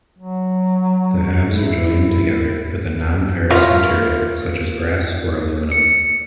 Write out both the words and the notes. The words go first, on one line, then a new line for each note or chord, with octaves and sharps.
The halves are joined together with a non-ferrous material such as brass or aluminium.
F#3
E4
F4 A#4 B4 C#5 E5 F5
C#7